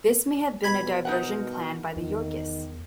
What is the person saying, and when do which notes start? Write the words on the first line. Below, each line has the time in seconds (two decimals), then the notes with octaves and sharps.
This may have been a diversion planned by the Yorkists.
0.63 B2 B5 G#6 B6
1.05 D#4 A#4 F#5
1.96 E2 D#3